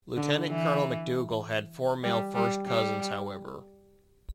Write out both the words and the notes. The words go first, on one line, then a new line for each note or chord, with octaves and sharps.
Lieutenant Colonel MacDougall had four male first cousins, however.
D3
E3
G3
G3
G3